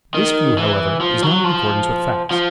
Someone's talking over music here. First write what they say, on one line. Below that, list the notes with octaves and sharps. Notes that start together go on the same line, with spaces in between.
This view, however, is not in accordance with facts.
D#3
E3
F3
F#3
F3
F3